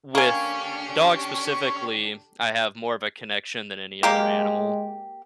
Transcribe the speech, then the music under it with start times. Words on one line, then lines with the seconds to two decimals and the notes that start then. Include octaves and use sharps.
with dogs, specifically, I have more of a connection than any other animal
0.15 D3 A#3 C#4 D4 G4 G#5
4.03 G#3 A#3 G4